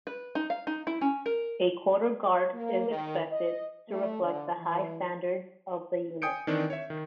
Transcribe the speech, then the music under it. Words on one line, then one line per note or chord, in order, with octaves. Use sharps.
A Quarter Guard is expected to reflect the high standards of the unit.
B4
D#4
F5
D#4
E4
C#4
A#4
A#3
D#3
D#5
A3
D3
E3
G5 G#5 D#6 G6 C#7 D7
D#3 E3 C4 D4 D#4
C#5 E5
D#3